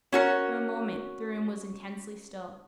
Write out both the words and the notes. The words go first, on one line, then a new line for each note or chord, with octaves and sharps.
For a moment the room was intensely still.
C#4 F#4 A#4